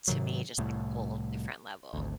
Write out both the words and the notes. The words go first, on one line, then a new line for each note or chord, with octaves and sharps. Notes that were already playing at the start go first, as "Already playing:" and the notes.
to me just like a whole different level.
G#2 C3 D#3 F#3
C2 A2
G#1 D2